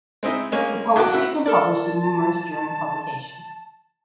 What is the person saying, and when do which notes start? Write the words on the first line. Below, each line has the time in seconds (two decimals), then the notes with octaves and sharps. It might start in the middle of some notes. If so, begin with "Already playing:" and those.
Her poetry has been published in numerous German publications.
0.23 G#3 C4 D#4 E4
0.52 G#3 A#3 C#4
0.96 A1 F#4 D6
1.13 E4 F#4
1.46 A4 A#4 D5 A5